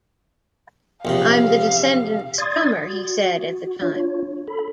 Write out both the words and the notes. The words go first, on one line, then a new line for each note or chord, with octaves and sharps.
"I'm the Descendants' drummer", he said at the time.
A#1 E2 C3 F5
D5 C6 D#6 G#6 A6
F#4
D4 F4 C#5
A4 B5